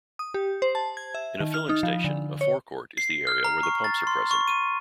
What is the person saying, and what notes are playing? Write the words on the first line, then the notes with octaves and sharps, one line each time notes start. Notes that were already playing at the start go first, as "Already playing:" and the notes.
In a filling station a forecourt is the area where the pumps are present.
D#6
G4
C5
A5
G#6
E5
D#3
F6
D#4
F3
D3
C#5
C7
F6
A#5
C#6
A6
C6
C#6
D#7